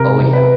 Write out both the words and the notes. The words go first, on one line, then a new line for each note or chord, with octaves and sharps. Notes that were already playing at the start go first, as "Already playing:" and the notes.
Oh, yeah.
Already playing: C3 A#4
C3
B4